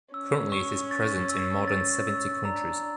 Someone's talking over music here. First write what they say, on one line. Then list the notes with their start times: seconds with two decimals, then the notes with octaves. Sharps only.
Currently it is present in more than seventy countries.
0.14 C#4 E6
0.52 C#6
0.91 A6
1.29 E6
1.68 A6
2.07 E6
2.45 D4 A#5